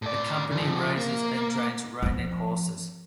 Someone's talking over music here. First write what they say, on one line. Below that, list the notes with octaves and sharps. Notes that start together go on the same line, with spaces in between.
The company raises and trains reining horses.
A2 D5
C#3 F3
A#3
F3 C4